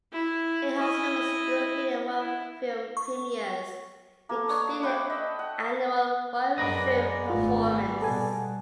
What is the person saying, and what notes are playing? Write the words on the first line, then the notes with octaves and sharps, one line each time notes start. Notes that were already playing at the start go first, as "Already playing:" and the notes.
It hosts numerous European and world film premieres including the annual Royal Film Performance.
E4
E4 D#5
E4
C#6
A#3 A4
D4 C#5 D#6
B4 E5 F#5 G5
D#5 E6
F#5
F#2 G#3 B3 A#4 B4 D5 D#5
G#1 A3 F4
B2 G3 A4 G#5